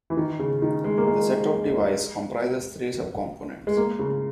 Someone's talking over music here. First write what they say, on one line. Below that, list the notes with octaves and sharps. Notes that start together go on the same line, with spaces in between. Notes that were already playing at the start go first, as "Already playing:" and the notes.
The set-top device comprises three subcomponents.
E3
D#3
C#3
D#3
G#3
A#3
G#3
G#3
A#3
C#3